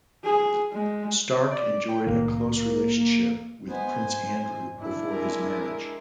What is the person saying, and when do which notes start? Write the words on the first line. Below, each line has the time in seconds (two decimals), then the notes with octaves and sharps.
Stark enjoyed a close relationship with Prince Andrew before his marriage.
0.24 G#4
0.73 G#3
1.51 D5
1.89 G5
2.07 C2 A2 D#3 A#3
3.67 G#3 B3 C5 G#5
3.97 G#2
4.78 D4 E4
5.09 G#3 A#4